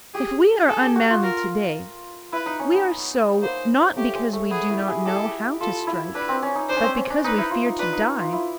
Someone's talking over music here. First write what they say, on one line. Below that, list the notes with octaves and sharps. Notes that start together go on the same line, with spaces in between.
If we are unmanly today, we are so, not because we do not know how to strike, but because we fear to die.
G4 G#4
G#4 A4
G4
F#4
F4
A#4
E4 B4
D#4
C#4
B3
A#3 C5
A3 G4
G#3
A3
B3 G#4
E4
G4
G#4
G4 A4
G#4
G4
F4 A4
E4
D4 B4
C4
C#4
D#4
D4 C5
C#4
C4
C#4
D4
D#4 B4
E4
F4
D#4
D4 B4
D#4
F4
E4